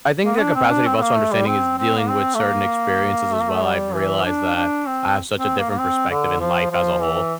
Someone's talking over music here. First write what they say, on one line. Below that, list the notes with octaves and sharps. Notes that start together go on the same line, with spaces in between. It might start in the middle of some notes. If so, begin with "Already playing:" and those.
I think the capacity of also understanding is dealing with certain experiences as well, I've realized that I have such a different perspective in life as a whole.
A#3
D4
C4
D4
C4
C4
A#3
A3
G3
C4
C4
A#3
C4
A3
A#3
A3
A#3
A3
G3
E3
D4
D4
C4
C4
A#3
A#3
C4
D3
F3
F3
E3